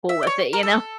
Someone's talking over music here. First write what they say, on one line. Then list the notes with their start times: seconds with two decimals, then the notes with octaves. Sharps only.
full with it, you know?
0.09 E5
0.23 D5
0.27 C#5
0.53 A#4
0.63 A4